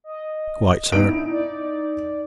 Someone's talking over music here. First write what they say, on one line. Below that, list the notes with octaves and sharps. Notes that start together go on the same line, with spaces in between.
"Quite, sir."
D#5
B3 D#4 D7
E4
D5